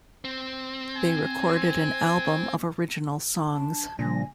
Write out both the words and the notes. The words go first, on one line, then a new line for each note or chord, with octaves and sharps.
They recorded an album of original songs.
C4
G#5
D4 A5
A#2 C#3 F3 G3 A#3 D4 G#5 A#6